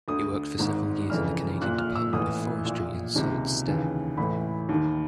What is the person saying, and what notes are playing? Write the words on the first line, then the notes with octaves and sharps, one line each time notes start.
He worked for several years in the Canadian Department of Forestry in Sault Ste.
D2 D3 D#6
G#1 G#2 D#3
G1 F2 C#3 E3 F6
A#1 A#2 F#6
F6
E6
A1 A2 E3 D#6
A#1 A#2
C#2 C3 D#3
D#2 C#3 E3
A1 A2 E3 B5
D#2 D#3